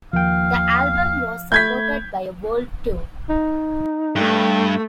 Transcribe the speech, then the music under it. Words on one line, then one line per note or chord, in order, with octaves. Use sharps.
The album was supported by a world tour.
D#2 F3 A#3 F5 G5
A3 B5 G6 G#6 B6
D#4
G2 A3